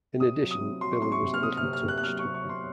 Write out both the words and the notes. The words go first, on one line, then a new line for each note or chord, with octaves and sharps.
In addition Billy was a little touched.
C3 D#6
F#3
D#6
C4
F#3 C6
C#6
C4 C6
C#6
C3
F6
C3 D#6
F6
C3
F6
C3 F#6
F#6
F#3 F6
C#6
C3
C#6
C3 C6